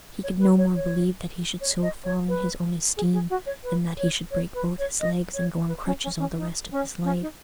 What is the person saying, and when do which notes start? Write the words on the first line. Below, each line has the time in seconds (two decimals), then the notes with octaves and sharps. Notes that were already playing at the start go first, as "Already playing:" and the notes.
He could no more believe that he should so fall in his own esteem than that he should break both his legs and go on crutches all the rest of his life.
0.23 C#5
0.40 B4
0.57 C#5
0.74 C#5
1.59 C#5
1.82 D#5
2.05 C#5
2.27 B4
2.95 G#4
3.13 G#4
3.30 F#4
3.46 C#5
3.63 B4
3.97 C#5
4.31 C#5
4.55 B4
4.78 C#5
4.99 D#5
5.34 C#5
5.67 B4
5.85 C#4
6.02 C#4
6.18 C#4
6.36 D#4
6.70 C#4
7.04 C#4
7.21 D#4